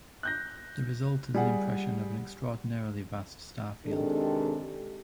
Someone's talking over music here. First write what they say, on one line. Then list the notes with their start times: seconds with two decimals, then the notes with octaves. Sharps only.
The result is an impression of an extraordinarily vast star field.
0.23 F#6 G6 A#6
1.34 G3 G#4 F#5
3.86 C3 D#3 G#3 D4 G4 A4